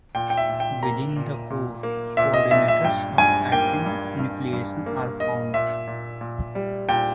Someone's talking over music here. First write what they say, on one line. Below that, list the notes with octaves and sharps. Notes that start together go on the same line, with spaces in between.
Within the core, coordinators of actin nucleation are found.
A#2 G5
G5
E5
A#2
G5
A#3 A#5
A#2
A#2
A#3
A#2 E5
D#5
A#2 E5
E5
G2 G5
G2 G#5
A#3 G5
G2
G2
G2
A#3
A#3 D#5
A#2 E5
A#2
A#2
G3
A#2 G5